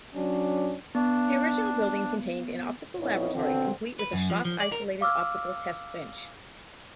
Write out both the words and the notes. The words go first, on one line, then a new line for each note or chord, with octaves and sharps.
The original building contained an optical laboratory complete with a shock-isolated optical test bench.
F#3 C#4 D4
B3 D4
F2 A#2 B3 D#4 E4 C#5
F2 B2 D3 C4
B4
F#2
F3
F3
D5
A#4
F5 D6 E6 F6